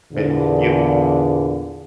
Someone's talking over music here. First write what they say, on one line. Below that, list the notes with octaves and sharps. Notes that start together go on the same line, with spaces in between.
eh you
E2 A#2 D3